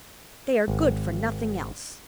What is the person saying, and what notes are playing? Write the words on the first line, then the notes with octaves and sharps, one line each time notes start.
They are good for nothing else.
G#1